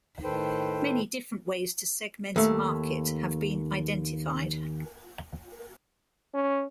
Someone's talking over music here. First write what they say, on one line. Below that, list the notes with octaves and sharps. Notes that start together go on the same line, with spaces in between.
Many different ways to segment a market have been identified.
A2 D#3 A4 B4 C5 G5
D#2 A3
C#4